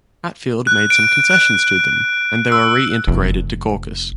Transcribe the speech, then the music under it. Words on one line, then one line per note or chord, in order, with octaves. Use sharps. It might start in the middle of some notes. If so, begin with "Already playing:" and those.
Hatfield made some concessions to them and they were re-integrated to caucus.
F#6
D7
F#6
E6
F1